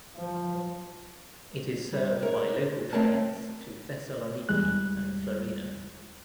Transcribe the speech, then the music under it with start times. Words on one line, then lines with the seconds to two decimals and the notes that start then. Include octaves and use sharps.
It is served by local trains to Thessaloniki and Florina.
0.16 F3
1.92 G3
2.23 A#4 C#5
2.93 A3 C4 A#4 C#5 E5 A5
4.49 E2 G3 G#3 F#6